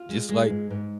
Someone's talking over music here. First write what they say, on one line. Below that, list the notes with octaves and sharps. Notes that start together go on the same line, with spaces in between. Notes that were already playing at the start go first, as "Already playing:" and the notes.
just, like,
Already playing: F4
G#3
G#3
G#2
G#2